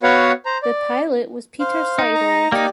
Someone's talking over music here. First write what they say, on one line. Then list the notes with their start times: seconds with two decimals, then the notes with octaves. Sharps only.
The pilot was Peter Siebold.
0.03 B3 F#4 B4 C#5 F5 F#5
0.45 C5 A#5
0.63 D5
1.60 C5 F5
1.99 D#4
2.15 A#5
2.52 A#3 D#4 G4 D5